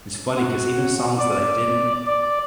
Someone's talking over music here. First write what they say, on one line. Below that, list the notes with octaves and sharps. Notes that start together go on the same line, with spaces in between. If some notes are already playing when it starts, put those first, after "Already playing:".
It's funny 'cause even songs that I didn't
F#4
D5
D5